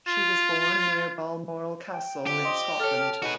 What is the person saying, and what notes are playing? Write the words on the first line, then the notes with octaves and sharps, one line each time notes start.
She was born near Balmoral Castle in Scotland.
F4
G5
F2 D3 G4
F3 G3 D#5 C6
A4 C#5 A5 F6
G#3 D#4 F#4 B4